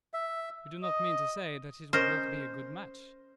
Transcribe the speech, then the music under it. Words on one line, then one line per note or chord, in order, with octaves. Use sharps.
"You do not mean to say that it would not be a good match?"
E5
D#5
C#4 A#4 C5 D#5